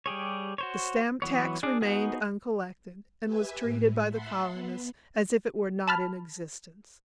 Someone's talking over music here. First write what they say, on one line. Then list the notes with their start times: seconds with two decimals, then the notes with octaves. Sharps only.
The stamp-tax remained uncollected and was treated by the colonists as if it were not in existence.
0.06 G3 G4 G#4 C#5
0.58 F#4 C5 C#5
1.22 E3 F#3 B3 C#5
1.63 D4 G#4 D5
1.81 B3 D#4 F#4 G#4
3.25 G4 B4 E5 G#5
3.63 A2
4.09 E5 F#5 A5 B5 C6
4.53 B3
5.88 A5 B5 F6